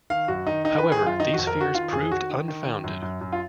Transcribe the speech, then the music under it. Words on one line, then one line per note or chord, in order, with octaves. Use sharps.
However these fears proved unfounded.
D#3 F5
F#2 F#4
D#3 D#4
D#3 D#4
D#3 B4
G#4
F#2 F4
D#3 D#4
F2 F#4
A#4
D#3 F#4
D#3 F4
F2 G#4
D#3 F#4
D#3
D#3
D#3
F#2
F#2
F#2
F4